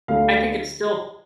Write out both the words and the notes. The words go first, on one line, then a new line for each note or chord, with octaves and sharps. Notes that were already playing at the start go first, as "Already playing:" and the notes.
I think it's still
D2 D3 A3 F5